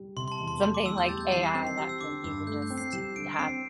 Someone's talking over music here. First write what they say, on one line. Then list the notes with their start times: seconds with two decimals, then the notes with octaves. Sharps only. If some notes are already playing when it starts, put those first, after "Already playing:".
something like AI that can you can just have
Already playing: G3
0.16 C3 C6
0.28 C6
0.32 A5
0.40 E2
0.48 C6
0.63 A3 C6
0.74 D6
0.86 E2 E6
0.98 G6
1.09 G3 A6
1.20 G6
1.32 E3 C7
1.43 C7
1.55 C4 G6
1.67 C7
1.78 G4 E6
1.89 E6
2.01 D3 D6
2.24 G2 E6
2.47 A3 G6
2.62 G6
2.70 C4
2.77 C7
2.93 G3 E7
3.16 D3 D7
3.39 C4 C7